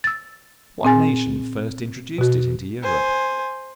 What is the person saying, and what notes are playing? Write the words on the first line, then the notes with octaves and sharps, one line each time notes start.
What nation first introduced it into Europe?
E6 A6
A#2 C4 G#4 G#5 A6
B2 F#4
C5 G#5